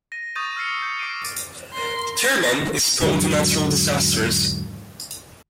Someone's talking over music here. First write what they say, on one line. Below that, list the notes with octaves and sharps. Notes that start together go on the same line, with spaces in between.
Kerman is prone to natural disasters.
A#6 D#7
C#6 D#6 G6 A6 D#7
E6 F6 A6 C7 C#7
G6 C#7
D6 C7 D7 D#7
A#4 C6
A6 A#6
E2 G#2 D3 F#3